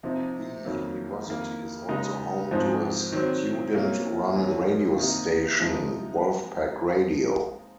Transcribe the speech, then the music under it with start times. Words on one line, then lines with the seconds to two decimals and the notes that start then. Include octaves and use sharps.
The university is also home to a student-run radio station, Wolf Pack Radio.
0.03 C3 F3 C4 D#4
0.65 F2 D#3 F#3 A#3
1.27 F2 D#3 A#3
1.89 C#3 G#3 D#4
2.51 G#2 F3 G#3 C4 D#4
3.12 D#3 F#3 C4
3.74 C3 F#3 A#3 C#4
4.36 F#2 D#3 F#3 C#4
4.98 C3 D#3 A#3 D#4
5.60 C3 F3 G#3 D#4